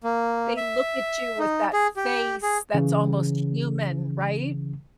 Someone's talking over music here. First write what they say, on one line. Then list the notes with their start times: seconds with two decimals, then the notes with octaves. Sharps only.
They look at you with that face that's almost human, right?
0.04 A#3
0.57 E5
1.39 D#4
1.73 G#4
1.96 G4
2.42 G#4
2.74 C#3 E3